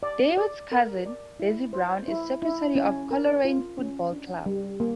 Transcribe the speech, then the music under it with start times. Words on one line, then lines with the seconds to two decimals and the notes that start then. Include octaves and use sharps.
David's cousin, Dessie Brown is secretary of Coleraine Football Club.
0.03 D5
0.37 D5
0.72 A#4
1.06 D5
1.40 E4
1.73 C5
2.08 E4
2.42 E4
2.75 C#4
3.11 A#4
3.45 F4
3.79 C#4
4.12 D4
4.46 G3
4.80 A#3